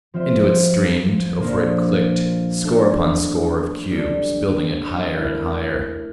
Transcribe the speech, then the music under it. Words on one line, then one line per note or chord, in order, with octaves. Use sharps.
Into it streamed, over it clicked, score upon score of cubes, building it higher and higher.
F3 C4 F4 C5 E5
A#2 F3 A#3 D4 A4
A3 D4 A4
G3 D4 A4
A3 E4 A#4 E5